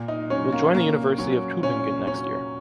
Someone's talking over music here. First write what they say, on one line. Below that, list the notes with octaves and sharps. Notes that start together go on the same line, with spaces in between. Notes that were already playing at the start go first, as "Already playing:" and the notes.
He will join the university of Tübingen next year.
Already playing: A#2
D#4
F#3 C#4
A#3
A#2 A#3
F#3 C#4
A#2 C#4
F#3 C#4